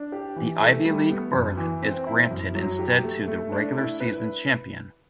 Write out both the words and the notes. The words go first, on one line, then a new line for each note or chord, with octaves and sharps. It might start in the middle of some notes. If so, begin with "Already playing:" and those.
The Ivy League berth is granted instead to the regular-season champion.
Already playing: D4
G4
E3
A3
G3
B3
F#2
E3
C4
E4
F#2
F#3
G4
A3
A3
D4
E4
B4